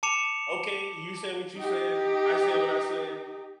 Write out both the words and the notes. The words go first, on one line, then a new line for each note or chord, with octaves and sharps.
"Okay, you say what you said, I said what I said.
A5 D6 C#7 E7 F7
D#4 G4